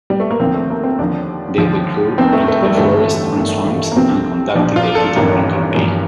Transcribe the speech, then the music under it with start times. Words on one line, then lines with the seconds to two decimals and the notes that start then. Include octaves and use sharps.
They withdrew into the forests and swamps and conducted a hit-and-run campaign.
0.10 G3
0.20 A3
0.31 A#3
0.40 D#2 D3 F3 C4
0.54 A3
0.70 A#3
0.84 C4
0.99 D#2 D3 F3 D4
1.58 D#2 D3 F3
2.18 F1 F2 D#3 C4
2.33 A3
2.48 A3
2.62 G3
2.77 A1 G2 D3 A3
3.36 A1 G2 D#3
3.92 A#3
3.96 C2 C3 F3 C4
4.55 A#1 A#2 F3 D4
4.76 F4
4.95 A4
5.15 A1 G2 D#3 A#4
5.75 A1 G2 F3